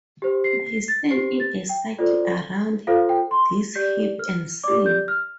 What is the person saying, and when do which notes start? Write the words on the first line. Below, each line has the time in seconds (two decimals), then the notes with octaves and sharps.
They stand in a circle around this heap and sing.
0.22 G4 C5
0.44 C7
0.66 C7
0.88 A6
1.10 G4 C5 C7
1.40 A6
1.69 G5
1.99 F4 A4 C5 D5
2.87 F4 A4 C5 F5
3.09 G5
3.31 C6
3.75 G4 D5 G6
4.19 F6
4.64 G4 D5 D6
4.86 G6
5.08 F6